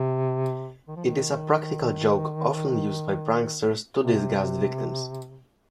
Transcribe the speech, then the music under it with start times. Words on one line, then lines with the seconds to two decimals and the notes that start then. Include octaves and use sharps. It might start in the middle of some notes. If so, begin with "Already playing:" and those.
It is a practical joke often used by pranksters to disgust victims.
Already playing: C3
0.88 D#3
0.96 F3
1.05 D#3
4.01 C3